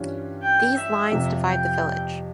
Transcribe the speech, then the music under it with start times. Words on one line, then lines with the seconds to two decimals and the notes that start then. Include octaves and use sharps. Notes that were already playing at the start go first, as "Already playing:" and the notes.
These lines divide the village.
Already playing: G2 E3 G3 C#4 F4
0.42 G5
0.76 E5
1.11 F2 C3 F3
1.46 G5